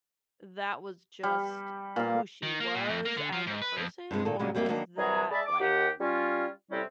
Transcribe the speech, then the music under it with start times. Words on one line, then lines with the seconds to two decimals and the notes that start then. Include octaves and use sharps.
that was just who she was as a person or was that, like,
1.23 G3
1.96 A#2 F5
2.43 D#3
2.60 A#3
2.74 A#2
2.89 F2
3.05 A#3
3.17 D3
3.33 F3
3.47 G#2
3.62 B4
3.77 F2
4.11 G2 C3 G#3 C4
4.25 A#2 D#3 A4
4.39 A#2 C#3 F#3 G#3
4.55 F2 G3 A#3 D#5 E5
4.69 D#3 F#3 A#3 B3 D4
4.97 C2 E3 G3 G#4 G#5 A#5
5.31 G#3 G#4 D5 E5 A5 B5
5.46 D6
5.60 D#2 G4 F#5
6.00 G3 C#4 F4
6.71 A2 C3 G3 C4 C#4 E4